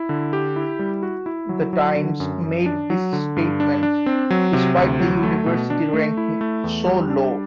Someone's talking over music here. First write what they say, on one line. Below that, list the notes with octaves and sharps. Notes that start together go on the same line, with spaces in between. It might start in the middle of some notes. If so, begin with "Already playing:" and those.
The Times made this statement despite the University ranking so low.
Already playing: E4
D3
G4
E4
G3
F#4
E4
F#3
F#3
D3
F#2
F#2
D4
F#3
D3
G2
D4
D4
C4
F#3
C3
D2
F#3
A3
B2
D4
A3
E4
A3
E2
G3
D4